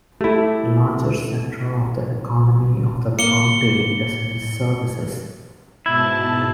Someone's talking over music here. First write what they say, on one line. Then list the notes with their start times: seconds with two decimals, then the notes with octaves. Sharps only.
The largest sector of the economy of the county is in services.
0.21 A3 E4 G4 A4
3.19 A#3 C#7 G7
5.86 G#2 B2 E4 A5